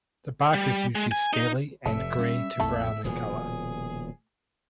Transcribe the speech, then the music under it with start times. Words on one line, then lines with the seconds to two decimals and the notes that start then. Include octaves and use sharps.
The bark is usually scaly and grey to brown in colour.
0.54 G3
0.95 G#3
1.12 G#5
1.33 D#4
1.86 F1 C3 A4 E5
2.18 G3 C#4
2.60 A#1 F2 A3 E4 A4
3.04 D#1 B2 F3 G#4